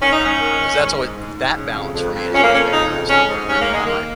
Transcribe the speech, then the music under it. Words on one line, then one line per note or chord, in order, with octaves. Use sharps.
'Cause that's alway th that balance for me, has always been interesting, 'cause we I might
D#3 C#4
D#4
G#2 C#4
D#3
D#3
G#2
G#2
G#2
G#2
C#3
F2
F2
F2
F2 C#4
A#3
F2 C#4
C#3 D#4
F2
G#2 C#4
G#2
G#2 C#4
A#3
D#3
G#3
D#3 A#3